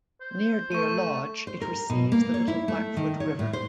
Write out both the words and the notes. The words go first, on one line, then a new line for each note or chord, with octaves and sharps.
Near Deer Lodge it receives the Little Blackfoot River.
C5
A3 C#6 D#7
C5
A#4
B2
A#3
C#5
E4
A3
D#3
C#5
A2
C5